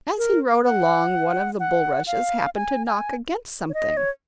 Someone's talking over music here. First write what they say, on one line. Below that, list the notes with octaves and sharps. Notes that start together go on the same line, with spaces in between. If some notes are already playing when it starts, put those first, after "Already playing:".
As he rode along one of the bulrushes happened to knock against something.
A#4
F#5
F#5
F5
G#5
G#5
C#5
D#5
C#5